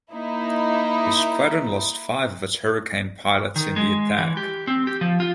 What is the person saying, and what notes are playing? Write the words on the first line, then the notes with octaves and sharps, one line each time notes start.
The squadron lost five of its Hurricane pilots in the attack.
A#3 D#4 E4
D#3
G#3
E3
G4
C4
G4
F3
F4